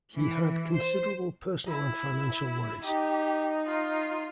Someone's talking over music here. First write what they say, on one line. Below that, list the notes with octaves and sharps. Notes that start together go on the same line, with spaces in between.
He had considerable personal and financial worries.
E3
C5
E4
D#4 G4
F4